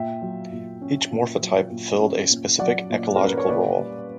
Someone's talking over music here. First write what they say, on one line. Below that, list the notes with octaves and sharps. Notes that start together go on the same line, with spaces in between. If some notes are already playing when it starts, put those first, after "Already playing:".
Each morphotype filled a specific ecological role.
Already playing: A#2 E5 G5
F#3
A#2
C#4
A#2
F#3
A#2
C#4
A#2
F#3 D5 F#5
A#2
C#4 A#4
B4
C#5
A#2 B4 D5
G3